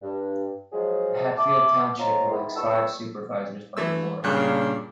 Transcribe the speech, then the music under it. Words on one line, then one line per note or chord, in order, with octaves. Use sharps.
Hatfield Township elects five supervisors by ward.
G2
F3 F#3 G#3 G#4
E5 A5 D6
C4 C#4 D#4 F4 D#5 A#5
D#3 G#3 B3 E4
C#2 B4 D5 A5 C#6 E6
E3 A3 E6
G2 A#2 C#3 D4 F#6